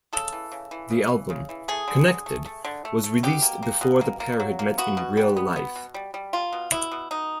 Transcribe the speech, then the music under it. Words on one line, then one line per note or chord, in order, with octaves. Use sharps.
The album, "Connected", was released before the pair had met in real life.
C#3 A4
E3
C#3
E3
C#3
E3
C#3
E3
A3 G#4
D3
D3
A3
A3
D3
A3
A3
B2 G4
A#3
A#3
B2
A#3
A#3
F#3
A#3
B3 F#4
B2
G3
B3
B3
B2
G3
G3
A#3 F4
B2
B2 E4
B2
B2 D#4